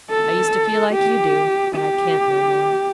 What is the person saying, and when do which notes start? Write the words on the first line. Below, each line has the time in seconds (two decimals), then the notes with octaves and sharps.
I used to feel like you do, but I can't no more.
0.10 A4
0.93 G4
1.75 G4